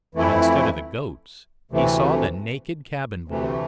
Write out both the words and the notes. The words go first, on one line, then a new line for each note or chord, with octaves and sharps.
But instead of the goats, he saw the naked cabin boy.
F2 E3 A3 E4
D2 C3 E3 A3
D2 C3 E3 A3